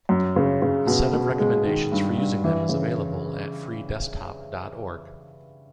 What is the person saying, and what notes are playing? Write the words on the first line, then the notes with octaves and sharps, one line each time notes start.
A set of recommendations for using them is available at freedesktop dot org.
F#2
C#3
C#3
B2
B2
G#3
D#3
G2
G2
E3
C#3